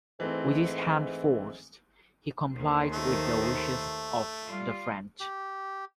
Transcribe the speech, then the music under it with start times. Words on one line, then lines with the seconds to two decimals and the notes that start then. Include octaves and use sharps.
With his hand forced, he complied with the wishes of the French.
0.20 G#2 E3 A3 C4
2.53 D#2 D#3 C5
2.92 A3
4.47 G3 F4
5.20 G4